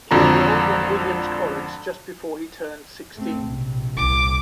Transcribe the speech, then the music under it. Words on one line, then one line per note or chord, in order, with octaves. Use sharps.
He enrolled in Williams College just before he turned sixteen.
G#1 F2 D3 F3 A#5
A3 C4
A#1 C3
C2 A#2 D6